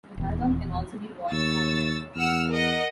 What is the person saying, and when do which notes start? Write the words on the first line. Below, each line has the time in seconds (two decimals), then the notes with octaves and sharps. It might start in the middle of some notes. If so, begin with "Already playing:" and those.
The Marathon can also be watched online.
0.18 D#1 E2
1.32 D#2 C#5 E6 A6
2.16 E2 F#5 E6 F6
2.51 A#4 D#5 F#5